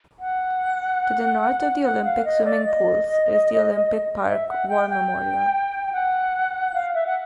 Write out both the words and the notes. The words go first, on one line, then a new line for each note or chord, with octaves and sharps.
To the north of the Olympic Swimming Pools is the Olympic Park War Memorial.
F#5
F#5
F5
D#5
D5
D#5
E5
F#5
G5
G5
G5
F#5
F5
E5
F#5